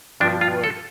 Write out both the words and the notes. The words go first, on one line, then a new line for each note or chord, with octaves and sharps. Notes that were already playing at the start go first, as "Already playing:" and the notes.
they would
G2 F3 D4
F4
A4